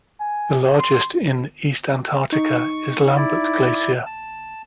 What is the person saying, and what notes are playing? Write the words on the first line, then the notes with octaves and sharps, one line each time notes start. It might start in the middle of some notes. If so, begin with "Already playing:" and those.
The largest in East Antarctica is Lambert Glacier.
G#5
C6
D#4 C#6
E4 D5
A5